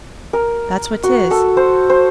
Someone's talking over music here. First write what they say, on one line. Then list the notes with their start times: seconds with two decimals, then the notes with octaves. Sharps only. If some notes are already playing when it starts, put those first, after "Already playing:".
"That's what 'tis."
0.33 A#4
1.03 F#4
1.31 A4
1.57 C5
1.90 C5